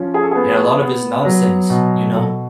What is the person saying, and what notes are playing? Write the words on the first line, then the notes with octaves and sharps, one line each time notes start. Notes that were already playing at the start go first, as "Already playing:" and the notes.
And a lot of it is nonsense, you know?
Already playing: F3 C#4
G#4
A4
B3 G#4
B3
F#3
B2
B2 A4